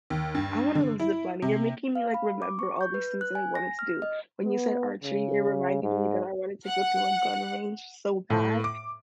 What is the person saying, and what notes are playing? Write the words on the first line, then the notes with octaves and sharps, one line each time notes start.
I wanna go ziplining, you're making me, like, remember all these things that I wanted to do, when you said archery, it reminded me that I wanted to go to a gun range so bad,
D#2
G2
D3
E4
C3
F5
B5
D6
C#6
G6
B4
F#6
G#5
A#6
F6
D#5
B3
C#3
G#2
F#5
A2
D6